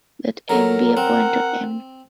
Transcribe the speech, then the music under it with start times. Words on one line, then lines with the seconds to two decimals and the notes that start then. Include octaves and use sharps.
Let "m" be a point on "M".
0.49 F#3 A3 A#4 A#5
0.97 C4 F#5